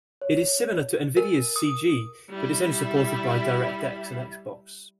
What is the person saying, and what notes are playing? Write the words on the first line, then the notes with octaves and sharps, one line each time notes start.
It is similar to Nvidia's Cg but is only supported by DirectX and Xbox.
C#5
A#4
D#6
G3 E4